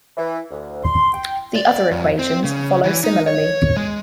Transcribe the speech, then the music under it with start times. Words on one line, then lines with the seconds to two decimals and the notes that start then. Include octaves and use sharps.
The other equations follow similarly.
0.17 E3
0.50 D2
0.83 C6
1.13 G5
1.56 D5
1.91 F2
2.19 C4
2.44 C#3
2.84 E3
3.04 D#4
3.27 C#5
3.77 G#3